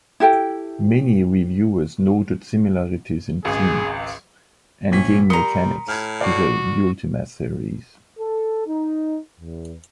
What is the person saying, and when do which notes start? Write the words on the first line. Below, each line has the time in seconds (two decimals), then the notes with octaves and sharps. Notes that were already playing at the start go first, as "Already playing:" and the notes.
Many reviewers noted similarities in themes and game mechanics to the "Ultima" series.
0.20 E4 G4 A4 G5
3.45 G#1 C#2 G#4
4.92 A#1 C#4 B6
5.30 G3 A#4 A#5 C6 D#6 C#7
5.88 A2 F6 G#6
6.21 F#4 D5 C7
8.20 A4
8.67 D#4
9.41 E2